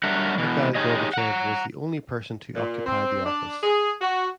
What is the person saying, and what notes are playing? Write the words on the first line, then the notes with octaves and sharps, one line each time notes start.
Mikhail Gorbachev was the only person to occupy the office.
F#3 G3 D4 A#4 E5 F#5
B2 E3
D#4 G4 G#4 C#5 D#5
F#5 A#5
A#2
C4
D4
G#4
F#4